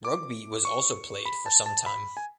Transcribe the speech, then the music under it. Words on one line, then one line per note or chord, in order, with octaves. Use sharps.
Rugby was also played for some time.
D6
C#6
B5
A5
A5
B5
G#5